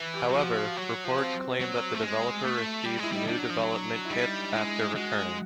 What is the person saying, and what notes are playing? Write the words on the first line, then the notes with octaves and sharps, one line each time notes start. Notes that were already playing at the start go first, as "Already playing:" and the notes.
However, reports claim that the developer received new development kits after returning.
Already playing: E3
G4
F#3
F3 F#4
F#4
F#3
F3
C4
F#3
A3
G#3
A3
G3
G#3 E4
G3 D#4
G3 D4
F#3
F3
F#3
E4
G3 D#4
G#3 E4
G#3 F#4